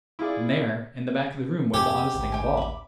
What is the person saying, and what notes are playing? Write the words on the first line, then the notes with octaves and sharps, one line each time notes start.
And there in the back of the room was the oddest thing of all.
E4 F4 G#4 D5
F2 C3 G4 G#4 G#5
A1 D2
G5 G#5
B5 D6